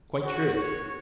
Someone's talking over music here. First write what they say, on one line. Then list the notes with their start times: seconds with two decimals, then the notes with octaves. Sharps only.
Quite true.
0.23 F#4
0.54 C#5